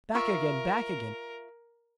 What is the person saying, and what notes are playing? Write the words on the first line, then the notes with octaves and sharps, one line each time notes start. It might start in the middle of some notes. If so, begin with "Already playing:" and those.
'Back again! back again!
F4 A#4 E5 C#6